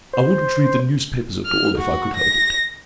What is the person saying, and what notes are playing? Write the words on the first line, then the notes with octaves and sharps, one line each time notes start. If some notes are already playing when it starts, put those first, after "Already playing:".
I wouldn't read the newspapers at all if I could help it.
C5
F6
F#4
A#6